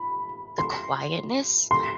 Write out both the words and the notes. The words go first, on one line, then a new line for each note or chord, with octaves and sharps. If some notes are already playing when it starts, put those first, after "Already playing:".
the quietness
Already playing: B5
C6
C6